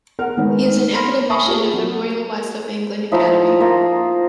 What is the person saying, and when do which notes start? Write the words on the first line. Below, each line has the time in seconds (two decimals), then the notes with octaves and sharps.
He is an academician of the Royal West of England Academy.
0.19 A#4 F#5 F6
0.37 D#3 G#3 A3 D#4 B4
0.93 B5 C6 F6 A#6 B6
1.29 E5 G#5 A5 B5 C#6 D#6
1.46 F4 G4 G#4 A#4
1.74 F#3
3.12 F3 D#4 E4
3.60 A#3 F4 A#4